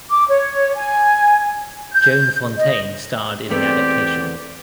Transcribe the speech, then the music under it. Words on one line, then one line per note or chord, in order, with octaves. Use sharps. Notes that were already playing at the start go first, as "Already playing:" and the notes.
Joan Fontaine starred in the adaptation.
D6
C#5
G#5
G6
D#5
E2 A3 B3 C4 G4 D5